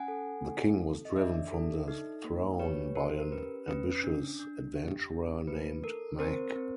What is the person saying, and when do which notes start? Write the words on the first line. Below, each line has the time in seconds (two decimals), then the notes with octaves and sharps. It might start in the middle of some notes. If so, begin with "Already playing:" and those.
The king was driven from the throne by an ambitious adventurer named Mack.
Already playing: C#4 F#5 G#5
0.08 A4
0.44 C4
0.80 A4
1.05 D#5
1.16 D4 D5 E5
1.52 A4
1.88 D#4
2.24 A#3
2.60 G4 B4 C#5
2.95 G4 A#4 C5
3.20 A#4
3.31 C#4 B4
3.68 C#4 B4
4.04 D4
4.39 D4
4.76 G4
5.11 D4
5.48 A3 B4
5.83 A4 A#4
6.19 C4 A#4 C5
6.56 C4